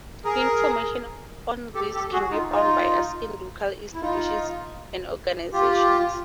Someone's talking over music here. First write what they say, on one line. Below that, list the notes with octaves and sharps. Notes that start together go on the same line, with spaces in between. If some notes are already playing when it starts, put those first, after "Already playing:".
Information on these can be found by asking local institutions and organizations.
G#4 A#4
G4 A4
G4 A4
F#4 G#4
D#4 F4
D#4 F4
E4
D#4 F4
F4 G4